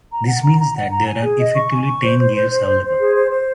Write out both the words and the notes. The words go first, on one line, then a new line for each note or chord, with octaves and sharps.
This means that there are effectively ten gears available.
A#5
F#5
A#5
A#5
F#5
A#5
G#5
G#4
D#5
C#6
G#5
C#6
C5
C5
C5
C5
C5
C5
G#4
C5
C5